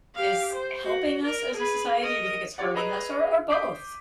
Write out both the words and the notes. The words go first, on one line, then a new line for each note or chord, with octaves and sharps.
is helping us as a society or do you think it's hurting us, or or both?
G4 F5
C5
F#4
A#4
G#4 B4
A#4 D#5
F4 G4 C#5 D5 F#5
G#4 B4 D#5 A#5 E6 F#6
D6 D#6 G6 B6 C7 D7